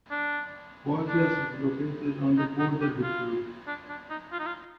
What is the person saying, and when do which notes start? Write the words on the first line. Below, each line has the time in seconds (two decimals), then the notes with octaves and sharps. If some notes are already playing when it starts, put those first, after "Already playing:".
Huaquillas is located on the border with Peru.
0.11 D4
1.08 D4
2.38 D#4
2.59 D#4
2.81 G4
3.03 F4
3.67 D4
3.89 D4
4.10 D#4
4.32 F4
4.39 D#4
4.46 F4